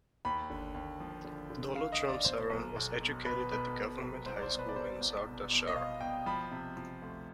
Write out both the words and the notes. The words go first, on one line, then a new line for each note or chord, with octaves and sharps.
Daulatram Saran was educated at the government high school in Sardarshahar.
D#2 B5
D3
D#2
F3
D3
D3
F3 F5
D#5
D#2
D5
B2 C5
B1
B1
B2
B2 B4
B2 B4
B2
B1
C2 C5
D5
C5
B2
B4
D5
B2 C5
C2
B2
B2
D#5
B2 F5
B2 G5
F3 B5
C3
F3
D2